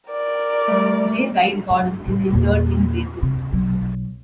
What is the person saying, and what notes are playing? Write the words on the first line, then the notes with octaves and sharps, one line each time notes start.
J. Wright Gordon is interred in Brazil.
A#4 D5
G3 A3
G#2
A2 G3
E2 A#2
C3
B1 F#3